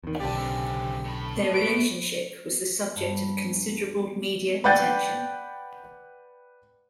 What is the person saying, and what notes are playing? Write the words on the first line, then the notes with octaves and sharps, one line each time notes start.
Their relationship was the subject of considerable media attention.
E2 D#3
B1 D3 G4 A4 D5
C#3 C4
A2 B5
B4 D7
G2
B4 D5 F#5 G5 G6 A6